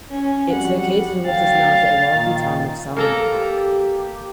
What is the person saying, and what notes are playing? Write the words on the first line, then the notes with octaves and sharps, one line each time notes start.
It is located in what is now the Iraqi town of Salman Pak.
C#4
F2 G3 F#4 F#5
D2 F#3 F5 G5 A6
A#2 D#3
F3 A#3 A4 A#5
G4